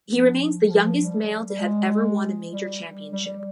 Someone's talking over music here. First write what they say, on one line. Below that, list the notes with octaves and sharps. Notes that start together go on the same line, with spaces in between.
He remains the youngest male to have ever won a major championship.
F3
F3
F3
G3
G3
G#3
G3
G3
G3